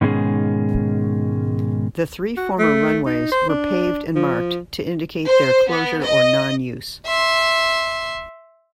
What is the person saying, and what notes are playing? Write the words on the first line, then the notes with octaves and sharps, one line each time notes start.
The three former runways were paved and marked to indicate their closure or non-use.
G#2 B2 D#3 G#3 C#4 G#4
F#4
A3
D#4
C5
D4
F3
C5
B3
D#5
E5 C6